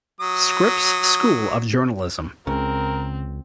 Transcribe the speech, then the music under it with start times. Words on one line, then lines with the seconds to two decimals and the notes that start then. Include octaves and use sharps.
Scripps School of Journalism.
0.20 F#3 D#6
2.47 C#2 C#3 C4 A#4